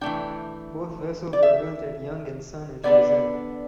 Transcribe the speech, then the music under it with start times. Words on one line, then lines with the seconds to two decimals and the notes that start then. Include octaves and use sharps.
Both vessels were built at Young and Son at Rozelle.
0.01 E3 A3 D4 G5
1.33 D5
1.43 E5
2.84 D3 B3 D4 D5